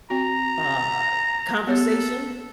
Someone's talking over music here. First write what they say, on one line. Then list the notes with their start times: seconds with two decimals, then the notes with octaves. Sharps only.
uh, conversation,
0.10 C4 F#4 A#5
1.67 B3 G4 A4 C#5